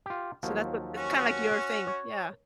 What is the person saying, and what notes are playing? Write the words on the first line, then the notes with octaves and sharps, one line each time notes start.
So, that's what it's kinda, like, your thing, yeah.
F4 G4
D#2 F3 F#3
C#4 F#4
C#5